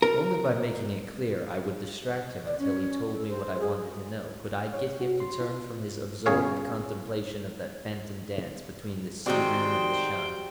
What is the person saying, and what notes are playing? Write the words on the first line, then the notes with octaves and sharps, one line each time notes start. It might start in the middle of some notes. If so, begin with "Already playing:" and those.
Only by making it clear I would distract him until he told me what I wanted to know could I get him to turn from his absorbed contemplation of that phantom dance between the sea rim and the shine.
A#4
D5
C#4
A4
C5
G#4
C#5
F#4
C6
F4
G1 C#3 G#4 C#5 F5
D#3 G#3 C4 F#4 G4 C5 D5 G5